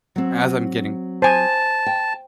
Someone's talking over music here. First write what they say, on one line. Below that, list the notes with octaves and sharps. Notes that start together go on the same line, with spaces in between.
as I'm getting
F#3 C4
C5 G#5 A5
G5